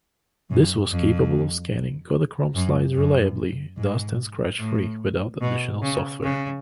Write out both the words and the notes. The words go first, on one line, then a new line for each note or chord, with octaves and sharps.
This was capable of scanning Kodachrome slides reliably, dust- and scratch-free, without additional software.
F#2
F2
F#2
F#2
G#2
A2
B2
C#3
C#3